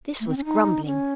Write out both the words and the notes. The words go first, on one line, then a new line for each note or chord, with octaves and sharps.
This was grumbling.
A3
C4
C#4
D#4
C#4